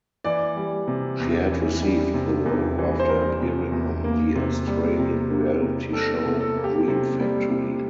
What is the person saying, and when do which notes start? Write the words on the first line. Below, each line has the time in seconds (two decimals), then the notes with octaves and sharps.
She had received the role after appearing on the Australian reality show "Dream Factory".
0.24 E3 D5
0.56 G3
0.88 C3
1.20 E2
1.51 E3
1.82 G3
2.14 C3
2.46 E2
2.78 E3
3.00 C5
3.09 G3 A#4
3.41 C3
3.72 E2
4.04 A#3
4.35 C3
4.67 G3
4.99 C3
5.30 A#3
5.62 C3
5.93 G3 A4
6.16 A4
6.25 C3
6.40 A4
6.57 A#3
6.64 G4
6.88 C3
7.20 G3
7.50 C3